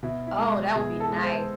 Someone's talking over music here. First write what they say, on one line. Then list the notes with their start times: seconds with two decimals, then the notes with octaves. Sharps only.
Oh, that would be nice.
0.03 B2 E4
0.27 E4
0.39 G#3
0.75 B2 G#4
1.00 A4
1.12 G#3
1.24 C5